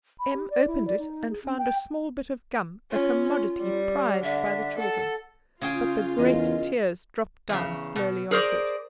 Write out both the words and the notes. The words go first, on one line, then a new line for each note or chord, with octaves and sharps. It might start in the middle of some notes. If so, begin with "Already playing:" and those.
Em opened it and found a small bit of gum, a commodity prized by the children; but the great tears dropped down slowly on to it.
B5
G4
D5
E4
D5
D#4
G#4
C#4
G5
C#4 F4
G3
D3 E5
A4 F#5
C#3 F4 G#4 G5
E2 A#4 D#5
E2 C#3
B2
G#4 A#4 C5 D5